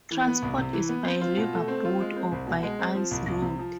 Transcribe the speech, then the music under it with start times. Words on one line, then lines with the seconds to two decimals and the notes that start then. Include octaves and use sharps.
Transport is by river boat or by ice road.
0.11 E3
0.27 B3
0.42 C2
0.58 C3
0.73 E3
0.89 B3
1.05 C4
1.21 F4
1.37 B2
1.53 A3
1.68 C4
1.85 F4
2.00 G#3
2.16 C4
2.32 C2
2.47 B2
2.63 G#3
2.79 C4
2.95 F3
3.11 C2
3.26 C2
3.42 C3
3.58 F3